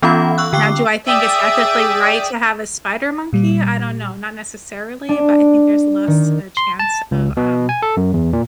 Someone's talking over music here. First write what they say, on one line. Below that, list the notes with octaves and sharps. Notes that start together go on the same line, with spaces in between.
Now do I think it's ethically right to have a spider monkey? I don't know. Not necessarily, but I think there's less a chance of, um,
E3 B3 C#4 F4 F5 B5
C#6 E6 F#6
D3 G5 D6 C7
G#4 D5 E5 G5 D#6 E6
A#2 G3
D4
D#3
C6
A5
C#2
B2
G#5
A4
F#2
E2
A#2